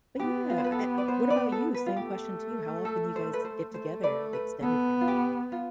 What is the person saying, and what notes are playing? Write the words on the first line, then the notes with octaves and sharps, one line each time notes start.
but yeah, eh, uh, what about you? Same question to you, how often do you guys get together, the extended family that is?
B3 G4
F4
C5
B4
A4
G4
D5
C5
B4 D5
A4
B4
F4
A3 G4
A4
C5
B4
C5
A3 C5
B4 D5
B4
B3 A4
F4
G4
F4